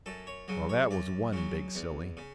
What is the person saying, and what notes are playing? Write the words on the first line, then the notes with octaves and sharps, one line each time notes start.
Well, that was one big silly.
F#2 A4
C#5
C#3 F#3
C#5
F#2 D5
C#3 F#3
E2
C#3